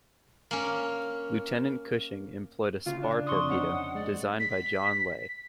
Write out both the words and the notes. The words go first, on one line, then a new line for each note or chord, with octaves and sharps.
Lieutenant Cushing employed a spar torpedo designed by John Lay.
A#3 C#4
D2 C#3 F4
D4
F2 C6 C#6 D#6
C#4 D#4 C5 F#5
G#3 D5
B6